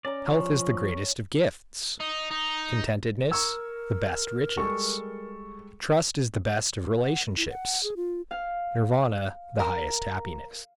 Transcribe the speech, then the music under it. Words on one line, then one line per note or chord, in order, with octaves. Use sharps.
Health is the greatest of gifts, contentedness the best riches; trust is the best of relationships, Nirvana the highest happiness.
C#4 D5 A#5
F3 C#4 D5 C#6
D#4
D#4
A#4 A#5 C#6 E6 G#6
G3 G#3 A4 C#6
F#5
E4
F#5
G#4
F4
F5
A#4 A#5